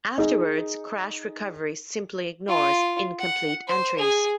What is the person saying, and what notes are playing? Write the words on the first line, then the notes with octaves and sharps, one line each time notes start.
Afterwards, crash recovery simply ignores incomplete entries.
D#4 G#4 D#5
F4
F#5
C5
G#4